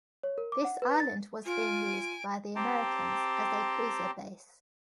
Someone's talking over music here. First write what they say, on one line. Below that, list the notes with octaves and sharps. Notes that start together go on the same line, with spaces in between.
This island was being used by the Americans as a cruiser base.
C#5
A#4
D6
F#5
B4
A6
F4 G#5 D7
C4 G4 G5 A5 A#5 C6